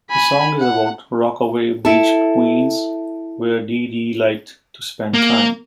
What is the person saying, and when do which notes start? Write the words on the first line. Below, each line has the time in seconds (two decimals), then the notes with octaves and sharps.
The song is about Rockaway Beach, Queens, where Dee Dee liked to spend time.
0.11 G#5 B5
0.59 F#5
1.85 E4 A4
5.14 A#3